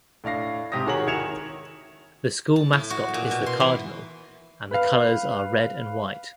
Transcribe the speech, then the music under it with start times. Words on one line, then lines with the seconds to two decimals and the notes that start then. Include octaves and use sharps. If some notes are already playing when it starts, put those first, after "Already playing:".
The school mascot is the Cardinal and the colors are red and white.
0.24 A2 D4 F5 A#6 C7
0.72 G#2 C3 G4 D#6 A#6
0.86 D#3 F#4 G#4 C#5 A#5 F#7
1.07 D#3 E4 G#6 C#7 E7 F7
2.56 A5
2.73 A2
2.90 F#4
3.14 A#2
3.31 B2
3.46 C6
3.60 E3
4.71 B4 F5